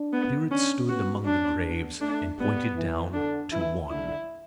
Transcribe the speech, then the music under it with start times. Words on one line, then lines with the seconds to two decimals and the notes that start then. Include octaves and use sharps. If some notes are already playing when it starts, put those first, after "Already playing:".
The Spirit stood among the graves, and pointed down to One.
Already playing: D4
0.13 B3
0.50 C#4 D4
0.88 B3 F#4
1.25 C#4 D4
1.64 B3
2.01 A3 D4
2.39 G3 B3
2.76 E3
3.13 D3 D4
3.51 E3 E4
3.88 D3 E4